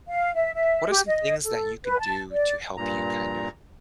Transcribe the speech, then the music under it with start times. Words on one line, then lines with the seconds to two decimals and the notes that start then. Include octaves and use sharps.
what are some things that you could do to help you kind of
0.09 F5
0.35 E5
0.54 E5
0.89 G4
1.07 D#5
1.44 A4
1.85 B4
1.99 A5
2.31 D5
2.77 G2 A#2 A#5